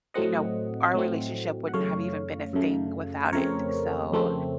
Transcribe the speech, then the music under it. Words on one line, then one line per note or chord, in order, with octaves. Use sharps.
you know, our relationship wouldn't have even been a thing without it, so,
A2 F#3 A3 C4 D#5 F#5
A2 F#3 A3 C4
F#5
F#2 C#3 A3 C#5 F5
F#2 C#3 A3
C5
F2 C#3 A3 C4 A#4 C#5
F2 C#3 A3 C4